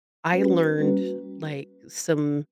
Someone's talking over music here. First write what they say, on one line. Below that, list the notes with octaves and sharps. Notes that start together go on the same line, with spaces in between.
I learned, like, some
G3 A#3 C#4 F#4 B4
G3 A#3 C#4 F#4 B4